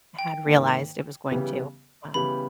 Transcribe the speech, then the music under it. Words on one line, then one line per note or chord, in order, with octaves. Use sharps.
had realized it was going to, um
G5
G#2 D#3 A#3
C#3 E3 G3 B3 G4
C#3 E3 G3 B3 G4 B5